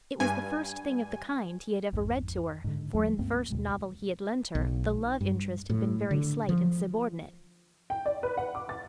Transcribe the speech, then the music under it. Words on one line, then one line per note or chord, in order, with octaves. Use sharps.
It was the first thing of the kind he had ever read to her, for in the first novel he had lent her the love interest had been very slight and subordinate.
G2 G#5
A1 F2 G#2
G#2 D3
D#2 F3 G3 A3
C#2 G2 A#3 C4
D#2 B2 G#3
B1
G2
A2
D3
F3
G5
D5
B4
F#5
D6
A6